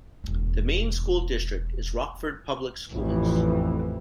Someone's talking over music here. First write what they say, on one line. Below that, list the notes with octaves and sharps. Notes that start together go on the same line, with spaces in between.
The main school district is Rockford Public Schools.
E1 D4
A1 F2 E3